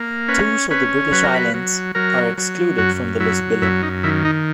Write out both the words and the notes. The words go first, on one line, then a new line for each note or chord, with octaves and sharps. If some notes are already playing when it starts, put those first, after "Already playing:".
Tours of the British Islands are excluded from the list below.
Already playing: A#3
C#4 B4
C#4 B4
F#3 B4
A#4
B4
F#3
F#3 A#4
F#3
F#2 F#4
F#3 E4
F#2 E4
D#4
D#3 E4
D#4